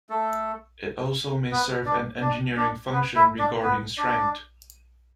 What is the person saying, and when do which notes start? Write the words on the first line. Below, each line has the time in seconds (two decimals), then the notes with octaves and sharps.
It also may serve an engineering function regarding strength.
0.09 A3 A4
1.51 B3 B4
1.85 D4 D5
2.21 D4 D5
2.56 D4 D5
2.92 B3 B4
3.15 E4 E5
3.39 D4 D5
3.62 B3 B4
3.98 D4 D5